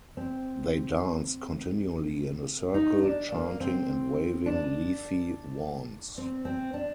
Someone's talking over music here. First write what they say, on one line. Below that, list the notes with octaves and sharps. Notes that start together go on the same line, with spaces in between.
They danced continually in a circle, chanting and waving leafy wands.
C4
D#4
D4
A#3
C4
D4
C4
C4
D4